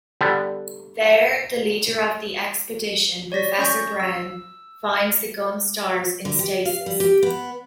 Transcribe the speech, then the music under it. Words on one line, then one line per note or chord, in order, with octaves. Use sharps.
There, the leader of the expedition, Professor Brown, finds the Gunstars in stasis.
D3 G3 B3
C#5 D5 A#6 B6
C#4 C#6 G6 A#6
E6
D3
G4
F5
G3
G4
B3